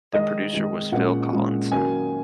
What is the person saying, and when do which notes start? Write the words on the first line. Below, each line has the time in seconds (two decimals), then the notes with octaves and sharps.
The producer was Phil Collinson.
0.13 D#3 G#3 D#4 D#5
0.53 D#3 G#3 D#4
0.92 A#2 G#3 C#4 F#5
1.33 A#2 G#3 C#4
1.72 D#3 F#3 A#3 C#4 G#5